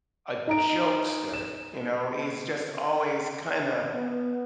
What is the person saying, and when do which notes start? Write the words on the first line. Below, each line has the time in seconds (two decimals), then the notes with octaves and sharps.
a jokester, you know. He's just always, kinda
0.47 D#4 A#5 D7
1.34 E7
3.95 B3